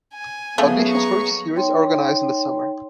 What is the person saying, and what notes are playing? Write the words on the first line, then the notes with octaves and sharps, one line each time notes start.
Auditions for each series are organized in the summer.
G#5
C#3 F3 F#3 A3 B3 G#4
A#5 C#6
D#4 C#5 G5 C6